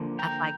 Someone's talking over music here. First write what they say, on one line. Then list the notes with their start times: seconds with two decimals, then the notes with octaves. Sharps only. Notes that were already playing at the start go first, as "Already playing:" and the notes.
I'm, like
Already playing: D3 F3 A#3
0.19 G5 A#5